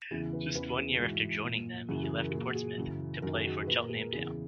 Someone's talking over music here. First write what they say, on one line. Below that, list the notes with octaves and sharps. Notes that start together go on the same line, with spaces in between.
Just one year after joining them, he left Portsmouth to play for Cheltenham Town.
E2 C#3 E3 G#4
B4
E2 C#3 E3 B4
G#4
G#2 E3 F#4
A#2
F#2 C#3 E3 G#4
G#4
A#4
A#2 G#4
F#4
G#4
F#2 C#3 E3
F#2 D#3 A#4
G#4
F#4
G#4
A#2 B4
A#4
G#4
A#4
E2 C#3 E3 G#4